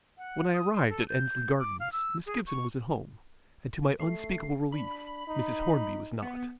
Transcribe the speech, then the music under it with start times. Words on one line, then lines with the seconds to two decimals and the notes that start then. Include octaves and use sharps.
When I arrived at Endsley Gardens, Miss Gibson was at home, and to my unspeakable relief, Mrs. Hornby was not.
0.18 F#5
0.53 D#6
0.73 C6
0.89 A4
1.08 G6
1.59 D6
1.80 F5
1.92 E6
2.26 G#4
2.47 C#6
4.00 A3 C7
4.72 D4 B5
5.27 D#4
6.22 B3